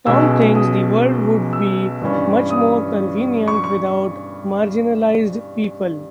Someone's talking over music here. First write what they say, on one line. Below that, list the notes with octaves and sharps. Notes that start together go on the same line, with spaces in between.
Tom thinks the world would be much more convenient without marginalized people.
B1 B2 G#3 C#4 E6
D#6
E6
G2 E3 G3 C#4
D#6
C#6
C#6